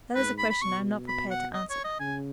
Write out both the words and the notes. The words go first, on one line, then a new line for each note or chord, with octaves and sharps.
"That is a question I am not prepared to answer."
G#2 B4
B5
B5
B2 C#6
B5
F#5
D#5
C#5
D#5
C#3 G#5